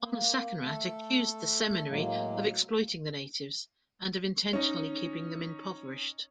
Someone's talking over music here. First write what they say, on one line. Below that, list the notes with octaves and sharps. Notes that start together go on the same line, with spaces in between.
Onasakenrat accused the seminary of exploiting the natives and of intentionally keeping them impoverished.
A#3
A3 A4
A2 F#3 G#3 A#3
C#4 D#4 C#5